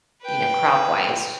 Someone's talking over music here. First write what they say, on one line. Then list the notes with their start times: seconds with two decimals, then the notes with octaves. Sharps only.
you know, crop-wise.
0.22 B4 G5